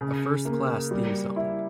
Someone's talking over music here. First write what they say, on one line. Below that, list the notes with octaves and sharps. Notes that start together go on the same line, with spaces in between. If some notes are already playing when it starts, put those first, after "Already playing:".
A first class theme song.
C#3
A#3
G3
E4